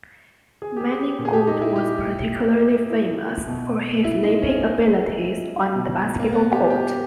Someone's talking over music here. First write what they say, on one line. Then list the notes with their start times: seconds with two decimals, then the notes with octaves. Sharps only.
Manigault was particularly famous for his leaping abilities on the basketball court.
0.62 G#4
0.77 G4
0.81 G#4
1.00 G4
1.19 A#2
1.25 G#4
1.33 G4
1.47 D#4
1.62 E4
1.76 G4
2.90 E4
3.47 B2
4.04 E4
4.23 D#4
4.42 C#4
4.61 A#3
5.75 B2
6.19 A#3
6.33 B3
6.52 G4
6.70 G4